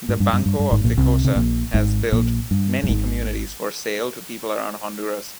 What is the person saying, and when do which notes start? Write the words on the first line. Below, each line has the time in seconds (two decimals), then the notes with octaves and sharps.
The Banco of Ficosa has built many communities for sale to people around Honduras.
0.09 G#2
0.20 G2
0.33 G2
0.46 G2
0.59 G2
0.71 G#1 G#2
0.84 A#1 A#2
0.97 C2 C3
1.25 C3
1.35 A#1 A#2
1.74 G#1 G#2
2.12 A#1 A#2
2.51 G2
2.84 G2
2.89 G#1 G#2